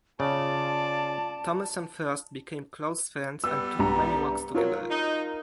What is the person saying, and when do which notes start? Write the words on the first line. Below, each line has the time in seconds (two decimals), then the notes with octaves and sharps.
Thomas and Frost became close friends and took many walks together.
0.20 C#3 F4 D5 A5
3.44 G3 B3 E6
3.79 C2 D4 A#5
4.55 F#3 F4 A#4
4.90 D#4